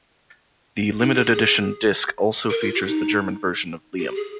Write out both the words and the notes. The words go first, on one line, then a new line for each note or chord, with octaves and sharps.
The limited-edition disc also features the German version of "Liam".
D#4
G#4
G#4
A#4
F4
G4
D#4
G4
G#4